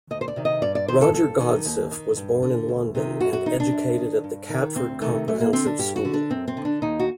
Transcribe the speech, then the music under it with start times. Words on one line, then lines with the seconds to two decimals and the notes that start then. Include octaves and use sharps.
Roger Godsiff was born in London and educated at the Catford Comprehensive School.
0.11 D2 D#5
0.21 C5
0.28 D5
0.36 C3 D#3
0.45 D#5
0.62 G2 D5
0.75 D5
0.88 D#3 C5
1.01 A4
1.13 G2 A4
1.40 D#3
1.65 D#2
1.91 D#3
2.17 G2
2.43 D3
2.69 D2
2.95 C3 D#3
3.20 F#2 F#4
3.33 F#4
3.46 D#3 D#4
3.60 D4
3.72 F#2
3.98 D#3
4.24 G2
4.49 D#3
4.75 D2 C4
5.01 C3 D#3 A3
5.28 F#2 A3
5.40 A#3
5.53 D3 C4
5.66 D4
5.79 G2 G4
5.96 F#4
6.05 D3
6.14 D4
6.30 F#2 C4
6.48 C4
6.57 D3
6.65 D4
6.82 D#2 D#4
7.00 F#4